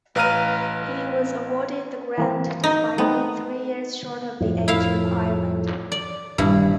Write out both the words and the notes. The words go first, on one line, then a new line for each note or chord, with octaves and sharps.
He was awarded the grant despite being three years short of the age requirement.
A1 B4 F5 A#5 F6 D#7
E3 A#3 C4
D#4
A3 B3 C4 D#4
F2 A2
E4 F5
D5
D#1 G2 E4